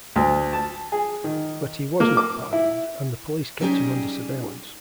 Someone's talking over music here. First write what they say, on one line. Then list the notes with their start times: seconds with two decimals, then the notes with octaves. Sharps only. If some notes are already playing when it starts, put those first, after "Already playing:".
But he was not pardoned, and the police kept him under surveillance.
0.16 D2
0.53 A5
0.92 G#4
1.24 D#3
2.00 A#3
2.17 D6
2.53 E4
3.60 F#3 G3 C#4 D#4 G4 G#4